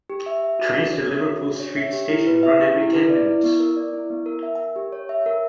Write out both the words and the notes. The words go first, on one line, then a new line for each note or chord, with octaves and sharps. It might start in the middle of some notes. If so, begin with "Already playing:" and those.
Trains to Liverpool Street station run every ten minutes.
G4
E5
E5
F#4
D4
C#5
E5
F#4
D4
C#5
E5
G4
E4
B4
E5
G4
E4
B4
D5
E4
B3
A#4
D5
E4
B3
A#4
E5
A#4
G4
C#5
E5
A#4